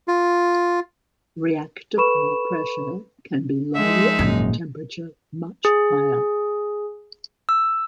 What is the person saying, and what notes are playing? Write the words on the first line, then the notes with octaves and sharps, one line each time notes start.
Reactor core pressure can be low and the temperature much higher.
F4
A4 B4 B5 C#6 E7
F3 G#3 D#4 E5
G#1 F#2 A#2
G#4
E6